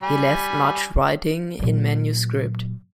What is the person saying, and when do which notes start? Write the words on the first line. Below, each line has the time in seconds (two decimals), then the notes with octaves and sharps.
He left much writing in manuscript.
0.03 G3 G#5 B5
1.59 A#2 F#3